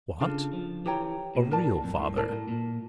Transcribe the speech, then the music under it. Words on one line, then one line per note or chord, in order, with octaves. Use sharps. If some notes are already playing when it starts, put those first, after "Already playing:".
"What? a real father?"
C#3 D4 F4 A4
F3
E3 G4 C#5 G5 A#5
A#2
A2 A#4 D5 A5
F2
G2
A2
G2
A2 A#4 D5 A5
A#2
A2
A#2